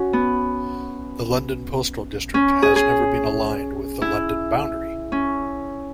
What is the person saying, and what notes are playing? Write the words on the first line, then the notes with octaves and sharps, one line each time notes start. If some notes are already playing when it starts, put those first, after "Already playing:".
The London postal district has never been aligned with the London boundary.
Already playing: C#4 F#4
B3
C#4
G#4
G#4
E4
C#4